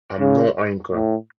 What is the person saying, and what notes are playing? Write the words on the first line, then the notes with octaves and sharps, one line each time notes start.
I'm no oinker.
C#3
A2